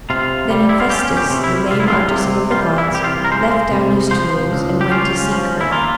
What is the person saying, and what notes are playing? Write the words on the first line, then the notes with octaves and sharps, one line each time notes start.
Then Hephaestus, the lame artisan of the gods, left down his tools and went to seek her.
C3 F4
G3
E4
F4
C#4 G4
G4
C3
E4
C2 F4
E4
F4
C3
G3 F4
E4
C2 G4
F4
A#4
G#3 C5
C3
F3 C5
C#2
G4
C#4 F4
F3
E4
A#3 F4